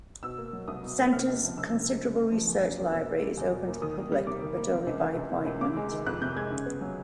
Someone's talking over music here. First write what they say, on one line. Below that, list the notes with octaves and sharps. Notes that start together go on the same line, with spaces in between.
The Centre's considerable research library is open to the public, but only by appointment.
B2 E6
A#3
F#3
C2 D#6
B2
A#3
C3 F6
C#2
F3
C#2 E6
C3
C#2
C#3
A#3
F3
E2
C#3
A#3
B2 E6
A#3
G3
E2
B2
A#3
D#3 D#6
A#3
G3
C3 D6
D#3
A#3
C3
C#2
E3
C#2
C3
C#2
C3 D6
G#3
D#3
F2 F#6
C3 G6
G#3 G#6
C#3
B3
F#3